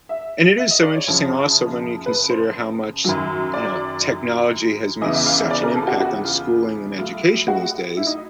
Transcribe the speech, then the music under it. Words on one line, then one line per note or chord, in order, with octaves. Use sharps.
And it is so interesting also when you consider how much, you know, technology has made such an impact on schooling and education these days.
E5
E5
D#5
D5
C#5
F#2 C#3 F3
B4
C5
F#2 D#3 F#3
D5
E2 C#3 E3 D#5
E5
F5
E5
D5
A#4
A4
F4
F#4
F#4
F4
A2 F#3 F4
F#4
E4
D#4